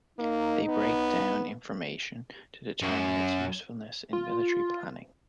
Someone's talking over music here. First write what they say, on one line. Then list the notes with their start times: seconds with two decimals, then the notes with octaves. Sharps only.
They break down information to determine its usefulness in military planning.
0.19 A#3 D#4
0.69 B3
2.82 F#2
4.13 F4